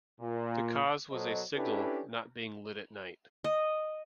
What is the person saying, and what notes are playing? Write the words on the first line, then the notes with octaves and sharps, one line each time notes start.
The cause was a signal not being lit at night.
A#2
B2 F#3 A4 C5 D#5
C#4 D4 E4 G4 A4 B4
D#5